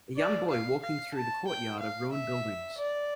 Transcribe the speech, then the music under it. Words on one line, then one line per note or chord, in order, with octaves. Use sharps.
A young boy walking through the courtyard of ruined buildings.
D5
F5
F5
A5
G5
F5
E5
D5